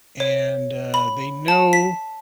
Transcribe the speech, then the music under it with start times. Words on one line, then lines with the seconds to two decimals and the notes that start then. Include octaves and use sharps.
and, uh, they know
0.20 C#5
0.94 B5
1.48 A5
1.73 B6